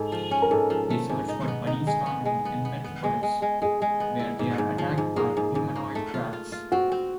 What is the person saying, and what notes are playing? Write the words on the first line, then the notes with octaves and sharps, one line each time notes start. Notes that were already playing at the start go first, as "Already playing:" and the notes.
They search for Buddy's family in Metropolis, where they are attacked by humanoid rats.
Already playing: G#2 A4
F3
C#4
A#4
G#2 A4
F3
A3
G#2
D#4
B3
D#4
G#3
B3
G#3
B3
B3
B3
G#3
G#3
G#3
G#3 G#4
G#3
B3
E4
G#2
G#2
F3
G#2
A#3 G#4
G#2
G#2
A#3
A3
F4
F4
F4
C4 F#4
C4